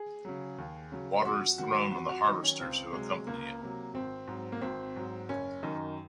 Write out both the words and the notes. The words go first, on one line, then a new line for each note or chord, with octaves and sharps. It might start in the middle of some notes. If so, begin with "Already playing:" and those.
Water is thrown on the harvesters who accompany it.
Already playing: G#4
C#3 F#3
D#2
C#3 F#3
F2 F#4
D#3 F#3 F#4
F2 F#4
F#4
D#3 F#3 D#4
C#4
C#2 C4
C3 F#3 G#3
C#2 A#3
C3 F#3
G#1 C4
G#2 F#3
A#3
G#1 C4
G#2 F#3
F#1 C#4
F#2 D#3 D#4